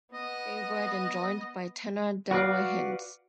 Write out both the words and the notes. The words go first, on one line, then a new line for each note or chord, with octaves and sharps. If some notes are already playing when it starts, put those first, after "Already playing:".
They were then joined by tenor Delroy Hinds.
B3 D#5
F#4 B4 D5 F5